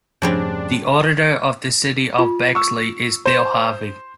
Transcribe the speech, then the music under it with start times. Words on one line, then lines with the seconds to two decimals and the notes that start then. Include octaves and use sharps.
The Auditor of the City of Bexley is Bill Harvey.
0.22 F2 G#2 C#3 F3 G3 A3 C4 D4
2.19 F4
2.55 C#6 E6
3.26 C5 E7